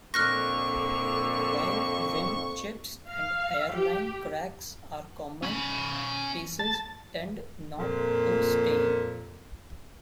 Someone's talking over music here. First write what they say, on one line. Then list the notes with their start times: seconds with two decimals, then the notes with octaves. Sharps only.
While rim chips and hairline cracks are common, pieces tend not to stain.
0.14 F2 A#2 D3 C#6 F6 F#6 A#6
3.07 F5
3.73 G4
5.43 C#4 B5
6.59 A5 A6
7.78 F2 A#2